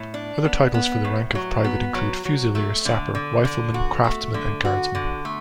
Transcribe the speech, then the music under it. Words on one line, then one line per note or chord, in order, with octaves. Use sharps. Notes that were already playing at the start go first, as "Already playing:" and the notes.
Other titles for the rank of private include fusilier, sapper, rifleman, craftsman, and guardsman.
Already playing: A2
D4
B3
B3
A2
F#3
B3
F#3
F#3
A3
D3
D3
D3
F#4
A3
D3
F#4
D3
A3